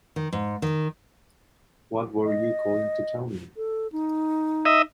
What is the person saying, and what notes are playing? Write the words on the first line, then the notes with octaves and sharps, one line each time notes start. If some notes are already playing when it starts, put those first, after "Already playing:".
What were you going to tell me?
D#3
G#2
D#3
D#5
A4
D#4
D#5 E5